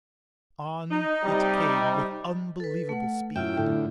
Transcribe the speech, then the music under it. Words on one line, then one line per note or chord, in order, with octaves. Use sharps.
On it came with unbelievable speed.
D#4
C3 G3
A4 B4
A3 F#5
F#2 E4 F4 E5 G5
A2 D3